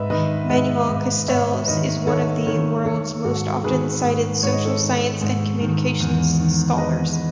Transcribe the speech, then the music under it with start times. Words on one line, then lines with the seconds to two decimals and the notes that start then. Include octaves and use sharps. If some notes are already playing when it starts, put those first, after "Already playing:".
Manuel Castells is one of the world's most often-cited social science and communications scholars.
Already playing: G#2 B4 D#5 E5
0.10 D#3 B4 D#5
0.50 G#2 B4 D#5
0.89 G#2
1.28 G#2 C#5 E5
1.67 D#3 B4 D#5
2.07 D#3 A4 C#5
2.46 D#3 A4 C#5
2.85 D#3 A4 C#5
3.24 G#2 F#4 A4
3.64 D#3 G#4 B4
4.04 G#2
4.42 G#2 C#5
4.53 D#5
4.65 A4 C#5
4.82 D#3
5.21 G#2
5.61 D#3
6.00 E2
6.40 D#3
6.78 E2 B4 D#5